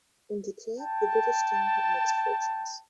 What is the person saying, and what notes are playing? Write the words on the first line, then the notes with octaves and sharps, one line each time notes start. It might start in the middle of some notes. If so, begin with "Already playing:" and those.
On the track, the British team had mixed fortunes.
G5 A5